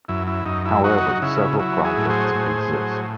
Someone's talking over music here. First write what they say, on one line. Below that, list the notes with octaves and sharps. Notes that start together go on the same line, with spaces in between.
However several projects exist.
F#2 E4
E4
F#2 D#4
E4
F#3 D#4 F#4
C#3 E4
F#3 E4
E4 G#4
A2
G#4 C5
A2
F#3